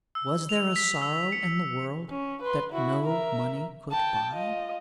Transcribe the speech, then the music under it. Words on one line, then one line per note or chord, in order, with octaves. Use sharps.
Was there a sorrow in the world that no money could buy?
E6
F7
B6
E6
C#7
C#4
B4 C6
E4 F#4
A#4 E5
G5 A5
F4 D#5